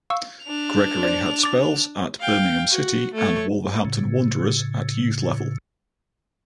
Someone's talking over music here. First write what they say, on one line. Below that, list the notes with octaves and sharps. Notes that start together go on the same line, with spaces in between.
Gregory had spells at Birmingham City and Wolverhampton Wanderers at youth level.
F5 C#6 E6
D4 F7
C5 D5
D6 A6
F5 G5
F#4
A3 C#5
A2 C#3